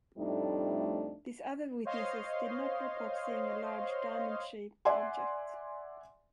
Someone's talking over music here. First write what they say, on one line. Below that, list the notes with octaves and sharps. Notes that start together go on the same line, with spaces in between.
These other witnesses did not report seeing a large diamond-shaped object.
F2 A2 G3 A3 D4 D#4
C5 C#5 D#5 F5 C6
D5 E5 F#5 G#5 C6